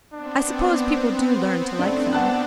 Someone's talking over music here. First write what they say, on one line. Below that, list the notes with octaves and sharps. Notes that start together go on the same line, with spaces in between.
I suppose people do learn to like them.
B3 C4 D4
A3 D4
D4 F#5 A5 F#6